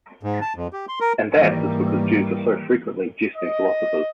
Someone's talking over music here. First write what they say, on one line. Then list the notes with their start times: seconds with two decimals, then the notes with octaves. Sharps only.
And that is because Jews are so frequently jesting philosophers.
0.23 G#2
0.42 A5
0.56 F2
0.73 G4
0.88 C6
1.00 A#4
1.32 G#2 D#3 E3 G3 A#3
3.35 D#5